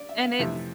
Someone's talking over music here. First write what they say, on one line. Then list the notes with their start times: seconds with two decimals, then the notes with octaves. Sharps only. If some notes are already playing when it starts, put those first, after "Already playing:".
And it's
Already playing: D5
0.09 E5
0.24 F5
0.39 F2 C3 E3 A3 E5